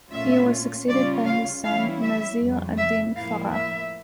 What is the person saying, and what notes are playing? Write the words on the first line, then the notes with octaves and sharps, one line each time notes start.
He was succeeded by his son Nasir-ad-Din Faraj.
A#2 A3 C#4 F4 E5
C#3 G3 C#4 F4 D5
F5
E3 G3 C#4 E4 F5
E5
F2 C#3 G3
E5
A2 F3 A#3 E4 F5
E5